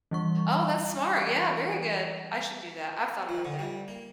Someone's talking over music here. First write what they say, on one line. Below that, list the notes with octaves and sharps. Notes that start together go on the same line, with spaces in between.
Oh, that's smart, yeah, very good. I should do that, I've thought about that.
E3 G3 C#6
F3
D3
G3
A#3